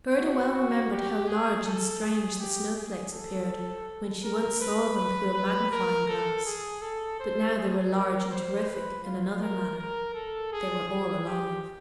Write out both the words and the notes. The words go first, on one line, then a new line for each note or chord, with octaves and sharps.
Gerda well remembered how large and strange the snow-flakes appeared when she once saw them through a magnifying-glass; but now they were large and terrific in another manner--they were all alive.
F#4
F#4
G4
G#4
A4
G#4
G4
G#4
A4
A#4
B4
B4
B4
A#4
A4
G#4
A4
C5
G#4
A#4
C5
B4
F4
A#4
A#4
A4
G#4
G#4
G4